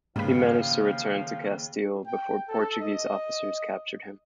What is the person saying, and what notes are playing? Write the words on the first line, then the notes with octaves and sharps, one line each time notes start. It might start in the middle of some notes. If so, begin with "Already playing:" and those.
He managed to return to Castile before Portuguese officers captured him.
D#2 G#2 C#3 F3 B4 F5
G5
A4
D#5